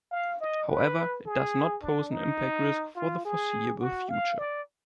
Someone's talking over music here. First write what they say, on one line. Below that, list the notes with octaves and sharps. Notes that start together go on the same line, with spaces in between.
However, it does not pose an impact risk for the foreseable future.
F5
D#5
B4
G#4
D4
D#4
F4
G#4
F#4
F5
D5